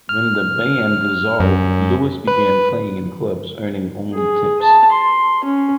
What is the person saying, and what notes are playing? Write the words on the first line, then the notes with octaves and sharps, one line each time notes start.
When the band dissolved, Lewis began playing in clubs, earning only tips.
F6
F#2
B4
G#4
A5
C6
C#4